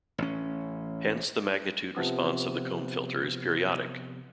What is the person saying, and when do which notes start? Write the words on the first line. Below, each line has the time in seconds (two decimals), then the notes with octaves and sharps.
Hence the magnitude response of the comb filter is periodic.
0.18 A1 C#4
1.96 C3 F3 B3